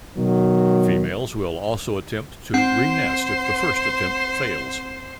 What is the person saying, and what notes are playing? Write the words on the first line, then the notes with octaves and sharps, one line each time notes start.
Females will also attempt to renest if the first attempt fails.
B2 D#3 F#3
C4 C5 F#5 C6